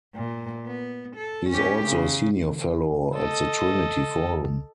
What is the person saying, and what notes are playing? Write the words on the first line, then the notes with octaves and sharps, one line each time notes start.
He is also a Senior Fellow at The Trinity Forum.
A#2
B3
A4
C#4 G4
C#3
A4 D#5